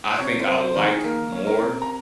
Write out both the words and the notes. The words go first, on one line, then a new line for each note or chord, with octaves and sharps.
I think I like more
C3 C#5
C5
C3
C5
D#3
G#4
A#3 A#4
C#4
A#4
C3
A#5